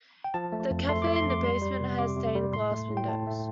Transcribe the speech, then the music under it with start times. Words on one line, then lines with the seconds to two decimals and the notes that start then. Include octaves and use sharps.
The cafe in the basement has stained glass windows.
0.24 G5
0.34 F3 A5
0.52 A3
0.71 F2
0.89 A3 C6
1.02 D6
1.07 A3
1.16 C6
1.26 F2 D6
1.43 G3 C6
1.62 G3
1.80 C3
1.99 C3 D6
2.16 C3
2.35 G3
2.53 A2 C6
2.72 A3
2.90 A2
2.97 G5
3.08 A2 A5
3.27 A3